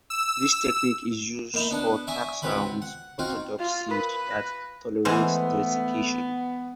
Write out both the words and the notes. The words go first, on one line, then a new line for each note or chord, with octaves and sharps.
This technique is used for taxa with orthodox seeds that tolerate desiccation.
E6
A#3 D#4 E4
B3 D4 A5
D5 E5 G#5 C#6 D#6
C#2 C3 F#3 B4 E5 B5
F#5
C4 D#4 F4 F#4
F4
A#4 B4 B5 B6
F#6 A#6
E3 G#3 A3 B3 C5